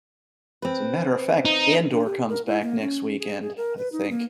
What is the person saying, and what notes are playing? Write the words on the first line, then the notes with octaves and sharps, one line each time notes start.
As a matter of fact, Andor comes back next weekend, I think.
C4 B4
D#4
D4
G4
A#4
E4
A#3
C#4
G#4
G#4
A#4
B4
D#4
A#3